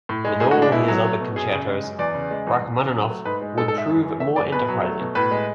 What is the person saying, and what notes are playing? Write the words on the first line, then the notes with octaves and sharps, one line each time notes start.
With all his other concertos, Rachmaninoff would prove more enterprising.
A2
G#3
A2 G#4
F#4
G#3
D4
B2 E4
F#3
A3
B2
F#2 G#4
C#3
G#3
F#2
E2 D5
C#3
G#3
E2
E2
C#3
F#3
A3
G#2 B4
G#3
G#2 A4
A4
G#3 E5
F#2
E3
A3 E5
F#2 D5
B2 B4
F#3
A3
B2
A2 B4
G#3